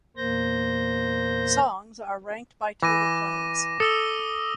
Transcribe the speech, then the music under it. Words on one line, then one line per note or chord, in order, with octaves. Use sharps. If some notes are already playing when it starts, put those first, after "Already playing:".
Songs are ranked by total plays.
E2 A#2 A#3 C5 G6 A#6
E3 D6 A#6 D#7
A4 D#6 E6 G7